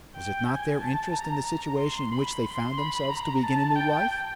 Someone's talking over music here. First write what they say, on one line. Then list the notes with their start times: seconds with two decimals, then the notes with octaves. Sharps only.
Was it not their interest in the situation in which they found themselves to begin a new life?
0.15 G5
0.48 G#5
0.81 A5
1.13 A#5
1.46 A#5
1.79 C6
2.12 B5
2.44 C6
2.78 B5
3.10 A#5
3.43 A5
3.76 G5